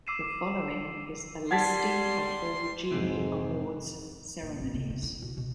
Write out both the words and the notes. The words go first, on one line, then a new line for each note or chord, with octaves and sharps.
The following is a listing of all Genie Awards ceremonies.
D6 E6 C7 D#7 E7
G3 F#5 A5 C6 G#6 A6 B6
F2 G#2 C3 E3
A#2
G#1
C3
B2
E4
B2
B2